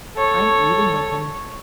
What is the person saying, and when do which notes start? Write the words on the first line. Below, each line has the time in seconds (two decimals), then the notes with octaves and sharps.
I'm even with him.'
0.17 A4 C#5